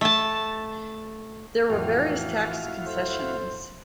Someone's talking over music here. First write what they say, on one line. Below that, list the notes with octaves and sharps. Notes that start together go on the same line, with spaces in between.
There were various tax concessions.
A3 A5
F2 A2 E3 E4 F#4 F5 G5
A4 C5